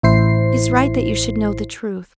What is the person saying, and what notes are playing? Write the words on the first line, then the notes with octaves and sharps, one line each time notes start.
It is right that you should know the truth.
A1 E4 C5 C7